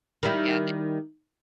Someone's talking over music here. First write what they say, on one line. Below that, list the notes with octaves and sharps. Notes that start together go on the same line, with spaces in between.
Yea, they
D#3 G3 E4